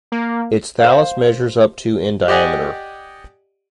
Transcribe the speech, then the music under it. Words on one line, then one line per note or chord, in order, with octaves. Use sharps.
Its thallus measures up to in diameter.
A#3
C5 F5
G4 D5 D#5 F#5 G#5